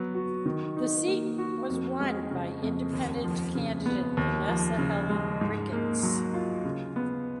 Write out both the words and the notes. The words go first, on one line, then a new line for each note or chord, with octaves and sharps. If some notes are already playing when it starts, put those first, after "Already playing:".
The seat was won by independent candidate Vanessa Helen Ricketts.
Already playing: F#3 B3
F#4
D#3
D#4
A#3
F#4
F2
G#3
C#3
F2
D#2
F3
C#3
B3
D#2
F3
C#3
G#3
G#2
A#3
F#3
F4
C#3
B3